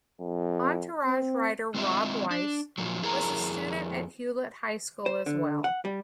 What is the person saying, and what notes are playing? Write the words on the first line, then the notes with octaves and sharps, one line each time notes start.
"Entourage" writer Rob Weiss was a student at Hewlett High School as well.
F2
C4
G#3 C4 F4 D#5 E5
D4
A#2 F3 F#3
F2 E4 G#4 A#4 C#5 A#5
C5
D3
F#5
G3